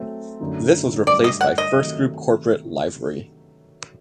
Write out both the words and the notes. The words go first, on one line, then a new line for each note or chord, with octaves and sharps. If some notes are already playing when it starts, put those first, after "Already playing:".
This was replaced by FirstGroup corporate livery.
Already playing: F#3 A3 C4
F#2 D3 F#3 A3 D#4
G2 F#3 A3 D5
D#5
F#5
D#5
C3 D#3 F#3 A3